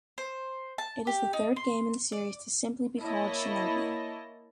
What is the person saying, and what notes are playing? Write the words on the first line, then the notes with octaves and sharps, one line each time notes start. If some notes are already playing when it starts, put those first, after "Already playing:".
It is the third game in the series to simply be called "Shinobi".
C5
A5
G4
D#4
C6
D5
A#3 E4 C#5 D#5 A5